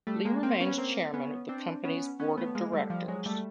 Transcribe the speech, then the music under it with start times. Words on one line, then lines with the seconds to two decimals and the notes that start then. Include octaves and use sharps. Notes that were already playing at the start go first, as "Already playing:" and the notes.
Li remains chairman of the company's board of directors.
0.07 G3 A3
0.25 G#3 A#3
0.43 A#3 C4
0.60 B3 C#4
0.78 A#3 C4
1.14 B3 C#4
1.49 C4 D4
1.84 B3 C#4
2.20 B3 C#4
2.37 A3 B3
2.55 G#3 A#3
2.72 G3 A3
2.90 F3 G3
3.08 F#3 G#3
3.26 G3 A3